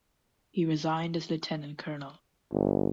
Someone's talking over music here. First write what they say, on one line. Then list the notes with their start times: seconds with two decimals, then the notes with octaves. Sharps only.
He resigned as Lieutenant colonel.
2.51 G1